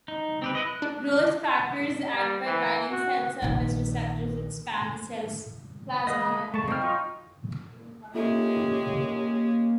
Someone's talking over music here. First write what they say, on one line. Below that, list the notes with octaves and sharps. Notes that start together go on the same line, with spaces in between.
Growth factors act by binding cell surface receptors that span the cell's plasma membrane.
D#4
C4 G4 B4
E4 B4 D#5
F#6
D4
G3
E3
F#4
A#1 D#3
G#3 B4 D#5 F5
A3 A5 C#6
C4 D#4 G5 F6
F#3 D#4 F4
G#3 A#3 C#4 F4 G4 A4 E5